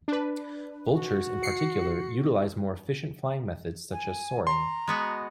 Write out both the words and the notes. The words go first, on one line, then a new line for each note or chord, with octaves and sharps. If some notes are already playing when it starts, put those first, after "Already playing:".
Vultures in particular utilize more efficient flying methods such as soaring.
D4 B4
F#4
C7 C#7
G#5
A#5 C6
G#3 B3 F#4